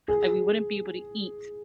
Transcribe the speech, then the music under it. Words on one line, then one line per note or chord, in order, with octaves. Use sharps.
and we wouldn't be able to eat
G#4